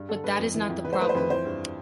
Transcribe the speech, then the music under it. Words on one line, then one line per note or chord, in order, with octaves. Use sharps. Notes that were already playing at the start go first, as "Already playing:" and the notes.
But that is not the problem.
Already playing: G2
D3 A4
G2 B4
F2
E3
F2
E3 B4
C5
A3 B4
C5
F2 B4
E3 C5
G2